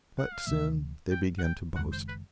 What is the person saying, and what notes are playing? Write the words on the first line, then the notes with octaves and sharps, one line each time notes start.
But soon they began to boast.
F#5
F5
D2 C3 E3 A3 E5
G5
F#5
G5
F#1 F#2 D#3 G#3 F#5
C5
B4